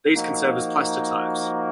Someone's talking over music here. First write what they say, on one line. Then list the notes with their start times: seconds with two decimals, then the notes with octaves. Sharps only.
These can serve as plastotypes.
0.14 F3 A#3 D#4 F#4